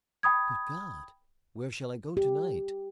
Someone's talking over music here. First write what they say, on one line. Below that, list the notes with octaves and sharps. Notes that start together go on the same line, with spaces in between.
"Good God! where shall I go to-night?"
G5 B5 D#6 G#6
G4